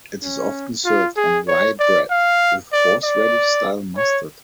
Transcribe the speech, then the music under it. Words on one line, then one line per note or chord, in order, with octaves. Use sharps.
It is often served on rye bread with horseradish-style mustard.
C#4
F4
G#4
C#5
D5
F5
D5
D5
C#5